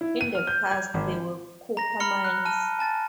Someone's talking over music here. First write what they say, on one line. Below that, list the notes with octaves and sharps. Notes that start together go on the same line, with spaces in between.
In the past there were copper mines.
E4
D#7
F6
G6
G#6
G#1
A#5 A#6
A#5 B5 F6 C#7 G7
F#6
A5 F6 D#7
G#5 A5 A6